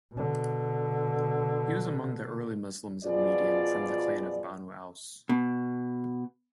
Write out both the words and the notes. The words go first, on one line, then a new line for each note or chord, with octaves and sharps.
He was among the early Muslims of Median from the clan of Banu Aws.
B2 D3
B2 F3 F4 G#4 D5
B2